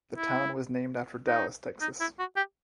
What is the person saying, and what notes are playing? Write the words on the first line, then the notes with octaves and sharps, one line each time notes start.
The town was named after Dallas, Texas.
E4
D#4
D#4
E4
F#4
G4